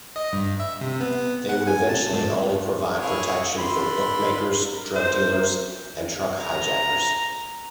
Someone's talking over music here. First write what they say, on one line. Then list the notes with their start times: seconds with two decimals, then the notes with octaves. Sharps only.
They would eventually only provide protection for bookmakers, drug dealers and truck hijackers.
0.16 D#5
0.33 G2
0.60 E5
0.81 C3
1.00 B3
1.49 F#5
1.67 G#5
1.89 A5
2.13 G#2
3.01 E4 G#4 C#5
3.58 D3 B5 C6
4.64 A#4
4.95 C5
6.42 A#5